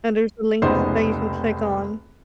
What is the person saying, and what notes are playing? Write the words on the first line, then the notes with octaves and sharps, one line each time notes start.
and there's a link that you can click on
F1 C#2 B3 D#4 C5 C6